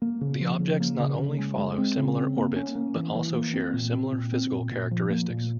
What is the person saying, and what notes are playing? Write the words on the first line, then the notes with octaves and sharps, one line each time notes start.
The objects not only follow similar orbits but also share similar physical characteristics.
A#3
C#3
F3
C#3
A#3
C#3
C#3
G#3
G#3
C4
C#3
C4
A#3
C#4
A#3
E3
E3
A#3
C4
A#2
C4
A#2
C4
A#2
A#2
F3
A#3
A#2